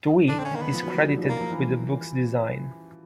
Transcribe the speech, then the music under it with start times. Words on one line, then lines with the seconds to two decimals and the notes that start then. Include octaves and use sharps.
Tweet is credited with the book's design.
0.28 D3 D4
0.39 D3 C4
0.45 C#4
0.51 D#3
0.56 A#3
0.62 B3
0.74 F3
0.84 F#3
0.95 F3
1.02 G3
1.07 F#3
1.18 F3
1.24 G3
1.29 F#3 A#3
1.41 F3
1.51 E3